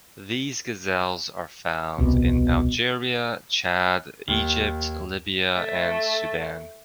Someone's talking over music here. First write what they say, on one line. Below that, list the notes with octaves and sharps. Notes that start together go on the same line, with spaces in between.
These gazelles are found in Algeria, Chad, Egypt, Libya and Sudan.
D#1 C2 B2
D#2
A3 E5